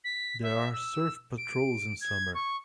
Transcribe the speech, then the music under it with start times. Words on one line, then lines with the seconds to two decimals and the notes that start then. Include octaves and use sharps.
There are surf patrols in summer.
0.04 B6
0.43 E5
0.73 E6
1.38 D7
2.01 G#6
2.35 C#6